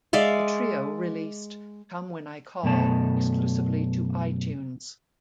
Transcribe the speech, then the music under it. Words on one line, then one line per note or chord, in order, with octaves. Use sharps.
The Trio released "Come When I Call" exclusively to iTunes.
G#3 D5 E5 F5
F#2 B2 A3 A5